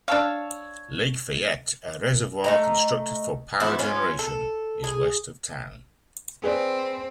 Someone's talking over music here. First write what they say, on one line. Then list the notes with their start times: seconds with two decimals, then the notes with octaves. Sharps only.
Lake Fayette, a reservoir constructed for power generation, is west of town.
0.08 D4 C#5 F5 A5 E6
2.44 A3 D#5 A#5
3.60 E3 F3 B3 E4
3.79 B3 C#4 F4
4.19 A4
4.84 G#4
6.44 C4 G#4 B4 D5